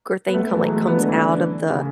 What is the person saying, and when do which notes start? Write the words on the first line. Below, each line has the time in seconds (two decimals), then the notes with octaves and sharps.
thing come, like, comes out of the
0.28 B3
0.34 A3
0.54 E3
0.61 F#3
0.68 G#3
0.76 A3
0.87 B3
0.97 D3
1.09 E3
1.19 D3
1.70 C#3